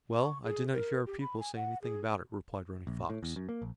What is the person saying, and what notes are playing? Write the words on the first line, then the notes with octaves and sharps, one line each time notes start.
"Well, I did not hear our people say anything about it," replied Running Fox.
C#6
G#4
A#4
G4
B5
G#5
F#5
G#4
A#1
A2
E2
F#2
A#3
A#1